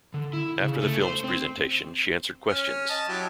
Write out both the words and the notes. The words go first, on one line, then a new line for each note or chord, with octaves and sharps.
After the film's presentation, she answered questions.
D3
E4
C#3
A3
C5
C4
C#4 F6
D#5 A5
F#3 E4 G4